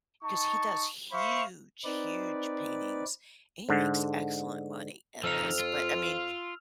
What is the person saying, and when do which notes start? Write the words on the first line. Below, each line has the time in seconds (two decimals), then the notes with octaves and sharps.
'cause he does huge, huge paintings, and he makes excellent money at this, but, I mean,
0.23 D#4 A5 C#6
1.12 C5 E5 F5 B5 C#6
1.84 C4 D#4 B4 D5
3.69 G#2 D3
5.24 F2 F3 D#4 E6 F6 F7
5.60 F4